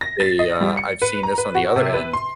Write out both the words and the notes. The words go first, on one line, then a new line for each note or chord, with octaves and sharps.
they, uh, I've seen this on the other end,
A#6
A6
D#5
G3
C#7
B4
A#5
B4
F#4
C3
B4
C6